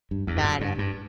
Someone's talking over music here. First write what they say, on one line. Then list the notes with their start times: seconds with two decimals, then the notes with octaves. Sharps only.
Got it.
0.11 G2
0.27 E2
0.36 G2
0.44 F#2
0.61 G2
0.79 G2